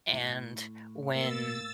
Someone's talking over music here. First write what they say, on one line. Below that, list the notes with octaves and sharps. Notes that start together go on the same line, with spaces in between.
and when
A2
A#3 E6 A6